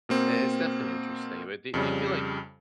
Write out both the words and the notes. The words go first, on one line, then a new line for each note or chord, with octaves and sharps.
i it's definitely interesting, but do do you feel like
B2 A#3 C4
F2 C#3 G3